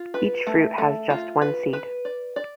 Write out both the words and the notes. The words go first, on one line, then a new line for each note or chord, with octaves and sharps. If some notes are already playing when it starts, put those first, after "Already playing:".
Each fruit has just one seed.
Already playing: F4
B4
A3
A3
F4
B4
B4
D5
D5